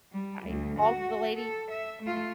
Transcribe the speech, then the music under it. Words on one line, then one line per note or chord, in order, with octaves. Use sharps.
I called the lady
G3
D2
F#4
A4
E5
A3 F4